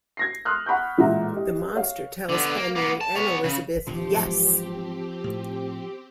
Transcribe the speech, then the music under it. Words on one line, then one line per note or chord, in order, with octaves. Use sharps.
The Monster tells Henry and Elizabeth Yes!
G#6 A#6 C7
C6 D#6 F6 F#6
F#5 B5 C#6 G6
A1 A#2 G#3 E5 F#5 A#5
G4 D#5
C#5 F5
D3 B3
A#3
A#3 B3
A5
B3 C#5
C#3
A#1 D#2 D#3 F3 C4 G4
G#2 E3 F#3
A2